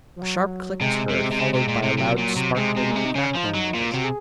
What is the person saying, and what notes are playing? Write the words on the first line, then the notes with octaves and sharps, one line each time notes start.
A sharp click was heard, followed by a loud, sparkling, crackling noise.
F3
F#3
C3 G#3
C3
C3
C#3
C3
A#2
C3
C3 F#3
A#2
F#3
C3
C3 G#3
C3
A#2
C3
D#4
C#3 C#4
F3 F4
D#4
F#3
A#2 F4
C3 F#4
G#4